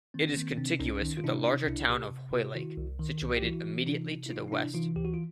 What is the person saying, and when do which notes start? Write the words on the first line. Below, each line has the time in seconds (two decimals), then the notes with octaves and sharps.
It is contiguous with the larger town of Hoylake, situated immediately to the west.
0.14 D#3 A#3 C4
0.36 D#3 A#3 C4
0.58 C3 C4 D4
0.79 C2 C#4 D#4
1.02 D#3
1.17 F4
1.24 C3 D4 E4
1.46 C3
1.67 C2 D4 E4
1.89 C3 F4 G4
2.11 C3
2.33 C3 F4 G4
2.55 D#3 E4 F#4
2.78 C2
2.99 D#3
3.21 C2
3.37 G4
3.42 E3 E4 F#4
3.64 E3
3.86 C3 D#4 F4
4.09 C3
4.26 E4
4.30 E3 D#4 F4
4.48 D#4
4.52 C3 D4 E4
4.74 E3 D#4 F4
4.96 D2 G4
5.05 F#4
5.14 F4